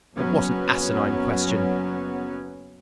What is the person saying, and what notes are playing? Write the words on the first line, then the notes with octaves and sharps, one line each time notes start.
"What an asinine question!"
F#1 F#3 B3 C#4